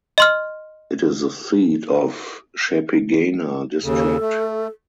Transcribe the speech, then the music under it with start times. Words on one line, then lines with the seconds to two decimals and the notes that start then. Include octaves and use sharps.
It is the seat of Chepigana District.
0.18 D#5 C6 F6
3.83 D#2 C#3 A4
4.21 A3